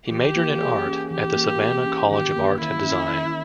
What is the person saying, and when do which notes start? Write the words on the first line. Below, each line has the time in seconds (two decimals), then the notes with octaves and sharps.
He majored in art at the Savannah College of Art and Design.
0.11 E3 G4
0.36 A#3
0.61 G#4
0.86 C#4
1.11 E3 G4
1.36 A#3
1.61 G#4
1.86 C#4
2.10 D#3 G4
2.36 A#3
2.61 D#3 E4
2.86 C#4
3.11 D#3